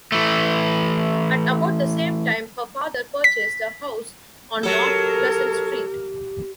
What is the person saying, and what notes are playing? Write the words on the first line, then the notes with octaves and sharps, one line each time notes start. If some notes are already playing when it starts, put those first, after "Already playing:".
At about the same time, her father purchased a house on North Pleasant Street.
E3 A3
B6
F#3 G4 A4 A#4